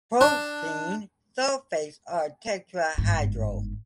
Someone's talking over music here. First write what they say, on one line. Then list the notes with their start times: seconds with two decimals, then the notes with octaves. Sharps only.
Phosphine sulfides are tetrahedral.
0.21 D4
2.98 G1 G#2